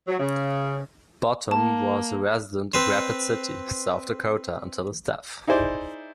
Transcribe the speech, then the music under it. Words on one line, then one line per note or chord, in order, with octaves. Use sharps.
Bottum was a resident of Rapid City, South Dakota until his death.
F#3
C#3
A#3 A5
C4 B4 C5
D#4 E4 G#4 C5 D5